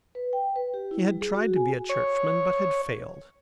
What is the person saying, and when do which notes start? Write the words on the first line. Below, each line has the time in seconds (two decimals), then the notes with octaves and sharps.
He had tried to be a churchman but had failed.
0.15 B4
0.33 G5
0.56 B4
0.74 G4
0.91 E4
1.04 G3
1.21 G#4
1.35 F#4
1.56 G#5
1.89 C#5